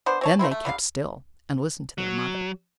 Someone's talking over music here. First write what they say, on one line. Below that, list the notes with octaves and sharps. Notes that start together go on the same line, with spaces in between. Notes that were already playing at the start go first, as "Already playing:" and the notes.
Then they kept still and listened to their mother.
B3 D4 C5
C4 C#5 A5
A3 A#3 C4 E4
A3
D3 G3 C#5 F5
F#3